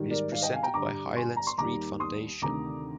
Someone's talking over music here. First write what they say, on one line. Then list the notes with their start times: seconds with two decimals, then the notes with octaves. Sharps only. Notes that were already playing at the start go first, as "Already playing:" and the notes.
It is presented by Highland Street Foundation.
Already playing: G#2 D#3 G3
0.11 A#4 D5
0.32 D5 F5
0.42 D#5 G5
0.52 F5 G#5
0.63 G5 A#5
0.74 G2 D3 G3 A#5 D6
1.17 G#5 C6
1.37 A#5
1.47 C6
1.58 D#2 D#3 G3 A#5 D6
2.00 C6 D#6
2.42 D2 C3 D#3 A#5 D6